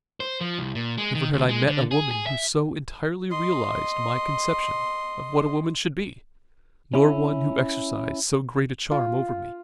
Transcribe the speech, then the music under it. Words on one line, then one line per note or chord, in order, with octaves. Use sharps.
Never had I met a woman who so entirely realised my conception of what a woman should be, nor one who exercised so great a charm over me.
C5
F3
C2
A#2
G#3
D#3
D2
G#3
D3
G#4
G#4
E5
D#5 C6
C#4 E4
F4